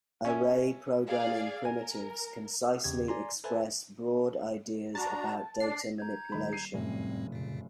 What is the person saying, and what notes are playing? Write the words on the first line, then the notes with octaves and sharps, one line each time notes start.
Array programming primitives concisely express broad ideas about data manipulation.
C#4 E5 G#5
G#4 D5 F5
A#4 G#5
E2 C#3 G4 G#6
D5 G#5 A#5 C6
A4 B4 C5 E5 G#5 A5
D4 F#4 A5 A#5
D4 D5 C7
A#5 G6 G#6
D#1 D#4 B5
C7 D#7
F1 F#2 A2 G3 C4
A#2 C#3